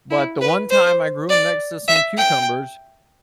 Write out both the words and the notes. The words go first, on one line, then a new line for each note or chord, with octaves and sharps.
But the one time I grew 'em next to some cucumbers,
E4
B4
C5
D5
E5
G5